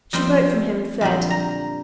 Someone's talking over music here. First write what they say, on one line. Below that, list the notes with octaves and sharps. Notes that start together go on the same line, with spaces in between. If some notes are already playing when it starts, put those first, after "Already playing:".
She broke from him and fled.
F2 G3 C4 C6
F2 A#2 D3 G3
A#5